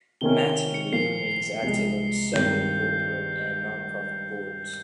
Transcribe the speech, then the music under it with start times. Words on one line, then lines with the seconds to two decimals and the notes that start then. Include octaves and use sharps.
Mattingly remains active on several corporate and nonprofit boards.
0.21 C3 D#3 A#3 C#4 G7
0.39 F7
0.56 F7
0.74 C#7
0.92 A#2 F3 A#3 F4 C7
1.62 C2 C3 F3 G#3
2.33 G2 D#3 G3 C4 G6